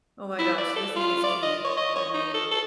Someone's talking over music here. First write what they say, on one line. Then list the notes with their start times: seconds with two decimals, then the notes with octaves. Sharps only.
Oh my gosh, listening is key. I mean,
0.39 E4
0.58 D5
0.76 A4
0.96 F4
1.23 D5
1.42 D#5
1.64 C#5
1.77 D#5
1.95 C#5
2.14 D#4
2.34 A4
2.51 A4